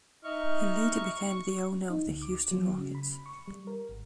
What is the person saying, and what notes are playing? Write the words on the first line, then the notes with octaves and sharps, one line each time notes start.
He later became the owner of the Houston Rockets.
D#4 D#5 E5 C#6 F6
D#4
D2
D6
F#3
C#3
B5
C#6
G3
A#4
G#1